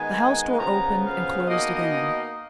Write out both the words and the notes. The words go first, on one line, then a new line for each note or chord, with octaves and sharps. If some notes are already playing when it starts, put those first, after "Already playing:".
The house door opened and closed again.
Already playing: D#3 G#3 B3 D#4 G#5
C#3 F3 B3 A#5
F5
B2 A#3 D#4 D#5